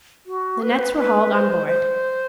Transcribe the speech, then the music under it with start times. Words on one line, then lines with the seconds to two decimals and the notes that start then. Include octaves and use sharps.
The nets were hauled on board.
0.26 F#4
0.62 B4
0.71 C5
0.81 B4
0.97 B4
1.32 C5
1.68 C5